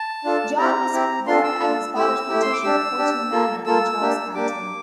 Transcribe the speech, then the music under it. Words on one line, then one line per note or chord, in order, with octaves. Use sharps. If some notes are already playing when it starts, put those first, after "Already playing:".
John was born at his father's plantation of "Poynton Manor" in Charles County.
Already playing: A5
D4 F4 A4
C4 E4 G4 A#5
C4 E4 G4
D4 F4 A4 C6
E6
D4 F4 A4
A3 E4 G4 E6
A3 E4 G4
C6
D6
D4 G4 E6
D4 G4
A#3 F4 A4
A#3 F4 A4 E6
A#3 D4 G4
A#3 D4 G4 D6